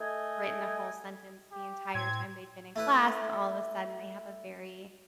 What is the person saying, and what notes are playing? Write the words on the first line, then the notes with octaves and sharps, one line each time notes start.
written a full sentence the entire time they've been in class and all of a sudden they have a very
A3 D#5 G#5
G4
A2 C4 G#6
A3 E4 B4